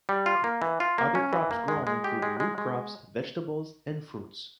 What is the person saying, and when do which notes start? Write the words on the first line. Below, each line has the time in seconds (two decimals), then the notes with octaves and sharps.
Other crops grown include root crops, vegetables and fruits.
0.09 G3
0.26 F4
0.44 A#3
0.62 E3
0.80 F4
0.98 A#3
1.15 C#4
1.33 E3
1.51 A#3
1.68 G#3
1.87 G#3
2.04 G4
2.22 G#3
2.40 G#3
2.58 G#3